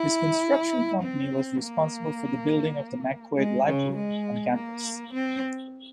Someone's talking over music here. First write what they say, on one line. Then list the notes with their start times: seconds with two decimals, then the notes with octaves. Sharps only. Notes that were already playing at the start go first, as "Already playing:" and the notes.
His construction company was responsible for the building of the McQuaid Library on campus.
Already playing: E4
1.02 C4
1.62 A#3
3.38 G#3
3.67 C#3
3.96 G#3
4.55 A#3
5.14 C4